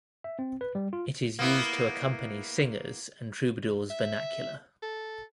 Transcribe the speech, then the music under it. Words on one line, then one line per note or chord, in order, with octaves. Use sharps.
It is used to accompany singers' and troubadours' vernacular.
E5
C4
B4
G3
F4
A#3 B3 E4
E5
A4